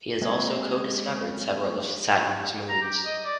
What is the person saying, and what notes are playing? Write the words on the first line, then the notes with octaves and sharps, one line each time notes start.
He has also co-discovered several of Saturn's moons.
G#3 A#3 C4 G#4
A#5
G4
D#5
D5